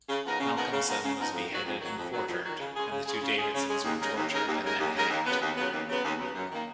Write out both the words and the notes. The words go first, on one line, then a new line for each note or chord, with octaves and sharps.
Malcolmson was beheaded and quartered and the two Davidsons were tortured and then hanged.
C#3
F3 B3 D#4 A#4
C#3
F3 B3 D#4 A#4
C#3
F3 B3 D#4 A#4
C#3
F3 B3 D#4 A#4
F2
D#3 F#3
F2
D#3 F#3
F2
D#3 F#3
F2
D#3 F#3
C#3
G#3 C#4 G#4
C#3
G#3 C#4 G#4
C#3
G#3 C#4 G#4
C#3
G#3 C#4 G#4
D#2
C#3 G#3 D#4 A#4
D#2
C#3 G#3 D#4 A#4
D#2
C#3 G#3 D#4 A#4
D#2
C#3 G#3 D#4 A#4
D#2
C#3 F#3 B3
D#2
C#3 F#3 B3
D#2
C#3 F#3 B3
D#2
C#3 F#3 B3
F#2
D#3 A#3